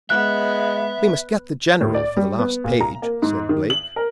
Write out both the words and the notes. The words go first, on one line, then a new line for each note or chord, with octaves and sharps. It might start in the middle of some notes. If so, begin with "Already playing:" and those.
"We must get the General for the last page," said Blake.
G#3 B3 E5 F#6
A2
D5
G3
B3
A#2
A#5
A#3
G#2
D#3
F#7
A#4